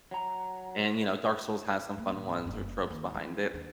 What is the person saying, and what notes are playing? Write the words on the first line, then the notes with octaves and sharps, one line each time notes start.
And, you know, Dark Souls has some fun ones or tropes behind it.
F#3 A#5
A3 A#3
D#2 A2
F#1 G2
D#2
E3 E4
D#2 D4